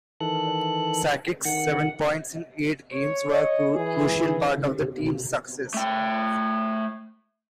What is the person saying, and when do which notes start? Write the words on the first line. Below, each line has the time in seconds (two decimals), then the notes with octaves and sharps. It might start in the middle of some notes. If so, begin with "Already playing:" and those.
Sakic's seven points in eight games were a crucial part of the team's success.
0.21 D#3 E3 A4 F#6
1.45 D#3 F#5
2.93 C#5
3.32 C#5 D#5
3.75 E3 G#4
5.74 A3 G5